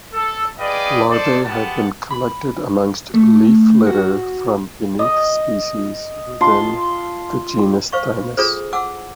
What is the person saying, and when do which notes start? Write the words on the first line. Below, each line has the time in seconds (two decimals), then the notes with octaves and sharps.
Larvae have been collected amongst leaf litter from beneath species within the genus "Thymus".
0.12 A4
0.58 G#4 B4 D5 D#5 F5 G5
1.09 A4 C5 D5 D#5 A5
1.44 G#3 B3 G4 F#5 A5
2.11 B5
3.14 A3
3.87 F#4
4.99 D#5
6.41 F4 A5 C6
7.92 C5 F5 C#6
8.37 D4 F4 G#4 A4 C5
8.73 F#5 G#5 D6 E6